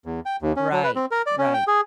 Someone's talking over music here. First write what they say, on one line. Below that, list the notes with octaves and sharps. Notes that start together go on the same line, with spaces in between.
Right, right.
E2
G5
D#2
C#4
F#3
B4
C4
A#4
D5
C#4
G5
G#4